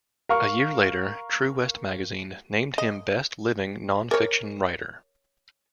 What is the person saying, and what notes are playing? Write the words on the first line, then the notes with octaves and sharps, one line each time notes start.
A year later, "True West Magazine" named him "Best Living Non-fiction Writer".
A#4 F5 C#6
D#5
A#4 C#5